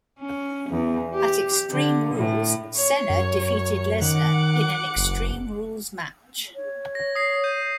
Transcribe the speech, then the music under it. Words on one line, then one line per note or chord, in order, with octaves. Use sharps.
At Extreme Rules, Cena defeated Lesnar in an Extreme Rules match.
C#4
E2
G4
D3
A2
C#5
F#2
D#3 F#5 D6
F#1
C#5
A#6
D#6 A#6 C7
G6 D#7